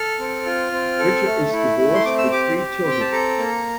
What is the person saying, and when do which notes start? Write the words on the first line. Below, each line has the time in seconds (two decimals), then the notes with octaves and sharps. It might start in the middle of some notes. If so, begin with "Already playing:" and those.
Richer is divorced with three children.
Already playing: A4 F6
0.19 C4
0.46 F4
0.72 C4
0.99 A4
1.26 A3
1.53 E4
1.79 A3
1.95 C6
2.05 C4 D6
2.18 E6
2.32 G4 D6
2.58 G4
2.85 C4
2.91 G5
3.01 A5
3.12 A4 A#5
3.38 A#3